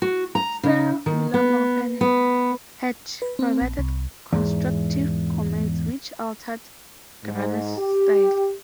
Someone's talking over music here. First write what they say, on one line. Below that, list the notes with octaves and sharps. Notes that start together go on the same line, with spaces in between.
Sir William Orpen had provided constructive comments which altered Gruner's style.
F#4
A#5
C#3
D#3
B3
B3
B4
C4
A#1
C2
E2 G#2
G#2
G4